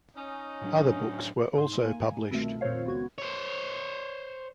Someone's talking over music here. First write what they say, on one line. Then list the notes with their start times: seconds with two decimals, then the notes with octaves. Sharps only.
Other books were also published.
0.16 C#4 D#4
0.61 A2 F#3 D4
1.58 G#2 C6
1.83 A#3 G#5
2.31 C2 F2 B2 D#3 A3
2.61 F2 A#2 D#3 C5 C#5 F5
2.86 C#2 B3 F#4 G#6
3.18 C5 C#5